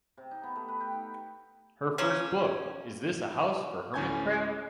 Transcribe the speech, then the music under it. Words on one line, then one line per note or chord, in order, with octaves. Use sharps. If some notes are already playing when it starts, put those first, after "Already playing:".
Her first book, Is This a House for Hermit Crab?
C3
D#4
B3
A3
B4
G5
D#4
F3 A#3 C#4
D2 A2 C#4 G#5 G6 G#6